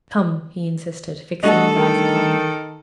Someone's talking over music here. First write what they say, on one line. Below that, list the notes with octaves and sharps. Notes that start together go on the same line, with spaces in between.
"Come," he insisted, fixing his eyes upon her.
G3 A3 D4 F#4 A4 D#5
D#3